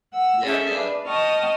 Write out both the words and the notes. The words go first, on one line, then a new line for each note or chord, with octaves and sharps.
Yeah, yeah,
F#5 E6
C#4 G#4 A4 E5
D4 B4
D#5 G5 A5 C#6 D#6 F6